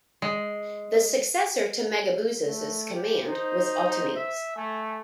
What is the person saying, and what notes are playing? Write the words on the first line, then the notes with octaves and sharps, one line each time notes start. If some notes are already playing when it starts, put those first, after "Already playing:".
The successor to Megabazus's command was Otanes.
G#3
A3
G4
D#4 C5
E5
A3 G#5